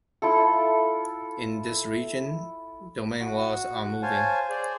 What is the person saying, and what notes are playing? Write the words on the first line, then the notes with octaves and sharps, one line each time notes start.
In this region, domain walls are moving.
E4 F4 A4
F#4
C5 C#5 F5 G#5 A5
G#4 C5 D5